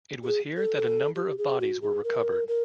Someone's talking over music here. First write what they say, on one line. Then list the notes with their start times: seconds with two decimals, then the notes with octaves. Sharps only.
It was here that a number of bodies were recovered.
0.23 G4
0.27 G#4
0.57 A4
1.15 G4
1.38 G#4
1.60 F#4
1.81 G#4
2.04 A#4
2.48 A#4